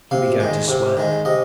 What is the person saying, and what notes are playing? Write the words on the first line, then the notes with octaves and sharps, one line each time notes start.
He began to swear.
C3 F5
D#3 G#3
C3
D#3 G#3
C3 D#5